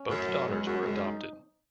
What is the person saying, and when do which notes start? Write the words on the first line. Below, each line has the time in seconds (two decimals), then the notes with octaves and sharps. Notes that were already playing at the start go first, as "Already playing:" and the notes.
Both daughters were adopted.
Already playing: C#4
0.09 F#2 A2
0.28 F#3
0.47 E2 G#3
0.66 F#2 F#4
0.81 E2
0.86 F#2 G#3
1.04 D#4